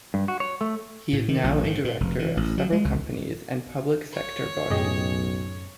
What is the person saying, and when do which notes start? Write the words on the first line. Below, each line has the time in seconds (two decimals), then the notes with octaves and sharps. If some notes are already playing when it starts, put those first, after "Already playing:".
He is now a director of several companies and public sector bodies.
0.14 G2
0.28 F#4
0.40 C#5
0.61 A3
1.13 A2
1.28 D#3
1.44 A#1
1.64 G#2
1.85 A#2
2.00 F1
2.19 E3
2.37 A1
2.58 F#3
2.72 G#3
2.85 C#2
4.12 C#5
4.70 B1 F#2 A2 C#3 G4 G#4 D#5